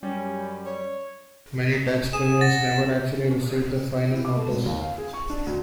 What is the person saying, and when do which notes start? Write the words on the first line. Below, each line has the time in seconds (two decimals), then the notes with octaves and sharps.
Many taxpayers never actually receive the final notice.
0.03 F#2 G3 C#4
0.66 C#5
2.13 G#4 E7
2.41 F#5 A6 A#6
4.12 E4
4.25 D6
4.36 A3
4.49 G#1
4.66 D#2
4.81 F5
4.98 G#4
5.13 C#6
5.30 D4
5.47 D2